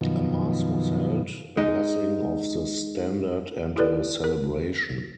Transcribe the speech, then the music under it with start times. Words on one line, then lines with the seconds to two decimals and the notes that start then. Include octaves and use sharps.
A mass was held, a blessing of the standard and a celebration.
0.01 F#2 B2 D#3 F3
1.57 G#3 D#4
3.76 E4 G4 A4 B4 D5
4.24 A#4